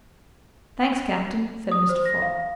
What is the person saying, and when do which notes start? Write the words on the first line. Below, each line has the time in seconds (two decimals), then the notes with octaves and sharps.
"Thanks, captain," said Mr. Fogg.
1.71 D#6
1.89 C5
2.05 A#6
2.22 F5